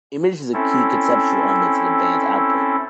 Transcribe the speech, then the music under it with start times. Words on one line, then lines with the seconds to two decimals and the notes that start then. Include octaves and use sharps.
Image is a key conceptual element to the band's output.
0.54 C4 C#4 E4 A4